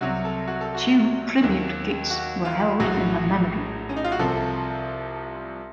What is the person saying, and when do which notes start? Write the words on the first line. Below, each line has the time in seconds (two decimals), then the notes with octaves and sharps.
Two tribute gigs were held in her memory.
0.01 C2 C3 F#3 F#4
0.25 A4
0.48 F#4
0.61 A4
0.75 F#4
1.41 D#2 D#3 F#3
2.10 F#4
2.45 F4
2.80 A#1 A2 F#3 F#4
3.89 C#4
3.96 D#4
4.04 F4
4.12 F#4
4.19 C2 C3 F3 A4